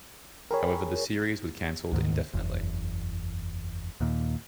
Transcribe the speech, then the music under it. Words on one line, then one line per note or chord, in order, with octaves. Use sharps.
However, the series was canceled indefinitely.
G#4 A#4 C#5 G5 B5
D2 G#2 D#3
F#1 E2
D#2 A#2